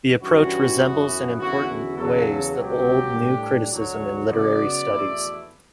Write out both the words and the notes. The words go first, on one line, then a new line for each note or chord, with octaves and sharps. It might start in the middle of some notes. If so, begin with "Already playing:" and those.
The approach resembles in important ways the old New Criticism in literary studies.
G2 E3 G3 C#4 E4 F#4
F#2 E3 B3
E2 D3 F#3 C#4 E4 F#4
F#4
E2 C#3 F#3 A4
C#2 B2 F#3 G4
A2 G3 D4
D2 D3 F#3 C#5
C#3 F#3 B3 D5
E2 B2 A3 E4